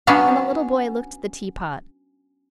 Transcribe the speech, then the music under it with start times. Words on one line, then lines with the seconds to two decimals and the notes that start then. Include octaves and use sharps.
And the little boy looked at the tea-pot.
0.07 F#3 B3 C#4 D4